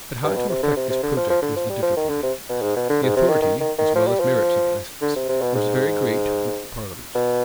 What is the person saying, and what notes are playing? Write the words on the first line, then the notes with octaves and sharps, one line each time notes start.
But how to effect this project was the difficulty. The authority, as well as merits, of Essex was very great with the parliament.
G2
B2
C3
D3
C3
C3
D3
F3
F3
D3
F3
G3
F3
D#3
D3
C3
B2
G#2
B2
D3
G#2
C3
D#3
D#3
D#3
D#3
F3
G3
F3
D3
C3
C3
B2
G#2
B2